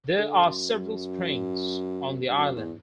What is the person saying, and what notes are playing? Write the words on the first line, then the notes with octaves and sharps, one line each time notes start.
There are several springs on the island.
D3
F#2
F#2
G2
F#2
E2